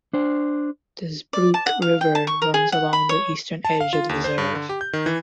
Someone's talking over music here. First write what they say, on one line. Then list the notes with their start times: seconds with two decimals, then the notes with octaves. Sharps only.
The Zbruch River runs along the eastern edge of the reserve.
0.13 D4 C5
1.33 D5
1.54 A5
1.66 F#5
1.82 F5
2.01 G5
2.15 A5
2.27 C#6
2.42 A#4
2.54 G#4
2.72 F#5
2.93 B5
3.09 C#5
3.65 A5
3.81 F5
3.93 F4
4.09 D#2
4.24 C5
4.38 G2
4.55 D3
4.69 G4
4.81 G6
4.93 D#3
5.06 E3